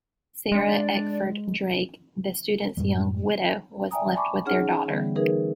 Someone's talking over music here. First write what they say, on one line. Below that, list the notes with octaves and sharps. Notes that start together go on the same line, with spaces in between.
Sarah Eckford Drake, the student's young widow, was left with their daughter.
G#3 D4 D5
F#2 A2 G3 G#3
D5 E5 G5 G#5 A#5 D#6
G#5 A5 B5 C#6 D6
C#4 D#4 G#4 C#5 F#5 F6
D3 E3 G3 B3
E3 D#4 G#4 A#4 B4